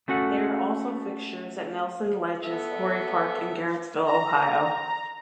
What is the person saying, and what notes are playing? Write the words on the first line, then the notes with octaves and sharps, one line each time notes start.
They are also fixtures at Nelson Ledges Quarry Park in Garrettsville, Ohio.
A3 C#4 F#4 A4 F#5
B3 A4 E5
A#5